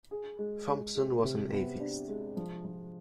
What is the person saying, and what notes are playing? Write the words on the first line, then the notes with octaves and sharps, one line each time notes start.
Thompson was an atheist.
G#4
G#3
G#3
G#4
C3
B3
D4
G#3
F3
F3